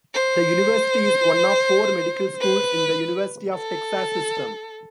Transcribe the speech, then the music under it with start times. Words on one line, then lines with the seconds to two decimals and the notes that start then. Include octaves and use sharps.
The university is one of four medical schools in the University of Texas System.
0.14 C5
2.41 B4
3.54 A4